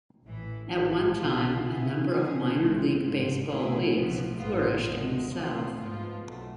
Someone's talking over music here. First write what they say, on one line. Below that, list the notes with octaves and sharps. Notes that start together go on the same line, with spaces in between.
At one time a number of minor league baseball leagues flourished in the South.
A1 A2 E3
A1 G#2 E3
C2 B2 B3 F4
B2 B3 E4 G#4
C3 F3 B3 F4 G#4
A1 A2 G#3 C4
A1 G#2 F3
B2 A3 E4 G#4
B1 A2 F3 B3
A1 G#2 F3 B3 F4
E2 D3 G#3
D2 C3 F3 B3 F4
G#2 F3 B3 F4
B1 B2 A3